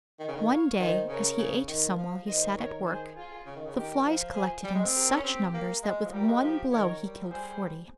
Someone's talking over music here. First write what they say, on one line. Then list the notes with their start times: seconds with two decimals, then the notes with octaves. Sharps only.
One day, as he ate some while he sat at work, the flies collected in such numbers that with one blow he killed forty.
0.19 D#3
0.28 C#3
0.35 D#3
0.49 C#5 F5
0.79 D#3 C5 D#5
1.08 C#3 A#4 C#5
1.38 C#3
1.67 D#3
1.97 F3
2.26 D#3 C5 D#5
2.56 A#4 C#5
2.86 G#4 C5
3.15 F4 G#4
3.46 C#3
3.55 D#3
3.66 C#3
3.75 D#3 G4 A#4
4.05 F3
4.34 G#4 C5
4.64 G3
4.75 G#3
4.84 C4
4.94 G4 A#4
5.16 C#4
5.24 C4 G4
5.53 A#3
5.83 G#3
6.06 F3
6.12 G3 G4 A#4
6.28 G#3
6.42 F3 G4
6.72 D#3 A#4 C#5
7.01 G3
7.23 F3
7.31 G3 G#4 C5